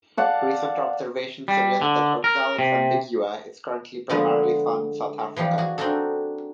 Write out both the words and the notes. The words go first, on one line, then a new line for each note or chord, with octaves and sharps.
Recent observations suggest that "Oxalis ambigua" is currently primarily found in South Africa.
D5 F5 F#5 A5
G3
D3
A#4
C3
D3 F3 G#3 B3 B4
E3 F3 G3 G4
F#4 G#4
C4 D4 D#4 F#4 G#4 A4